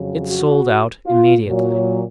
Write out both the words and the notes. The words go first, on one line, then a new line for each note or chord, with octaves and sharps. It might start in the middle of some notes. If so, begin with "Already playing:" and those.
It sold out immediately.
Already playing: F2 C#3 F#3
F#4
F4
A#2 F#3